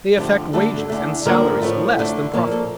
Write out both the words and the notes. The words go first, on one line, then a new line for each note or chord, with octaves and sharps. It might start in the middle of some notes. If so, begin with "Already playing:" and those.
They affect wages and salaries less than profits.
F2 D3 F3 A3 G4
D2 D3 A3 A4
E2 D3 A3
F2 D3 F3 A#3 A#4
A2 F3 A3
D2 D3 A3
A#2 F3 A#3 C#5
A4